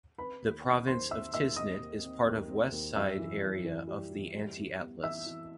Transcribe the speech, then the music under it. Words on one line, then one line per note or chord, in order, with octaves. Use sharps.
The province of Tiznit is part of west side area of the Anti-Atlas.
C4 B4 B5
D#2
C4
D#2 C5 C6
C4 E5 E6
D#2 E5 E6
C4 D#5 D#6
D#2
C4
D#2
C4
D#2
F#2 E5 E6
E3
F#2
E3
G3
E3
G3
G3
B3
E3 E5 E6
E3